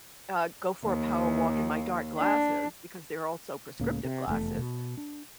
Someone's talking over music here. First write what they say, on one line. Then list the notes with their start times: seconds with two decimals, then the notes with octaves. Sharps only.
uh, go for a power walk in my dark glasses, because they're also prescriptive glasses,
0.86 D#2
2.18 D4
3.79 C#2 A2 C#3 A#3
4.05 C3
4.27 F1 E2 A2 A3
4.58 B2
4.97 D4